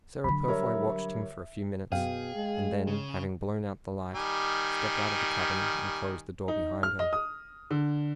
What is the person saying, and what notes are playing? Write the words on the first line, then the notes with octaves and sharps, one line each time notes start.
Sarah Purfoy watched him for a few minutes, and then having blown out the light, stepped out of the cabin, and closed the door behind her.
D3 F#3 B5
G3 A#4 C#5 E5
F#2 B2 G#4 F5 G5
G#3
C#3
D#3 G3 G#5
D#4
F6
D#5
D#6
D3